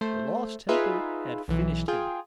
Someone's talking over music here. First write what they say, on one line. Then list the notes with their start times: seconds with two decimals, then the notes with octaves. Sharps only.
The lost temper had finished him.
0.01 A3 C5
0.69 D#4 F4 G#4 B4 E5
1.48 B1 E3
1.88 F4 G#4 G5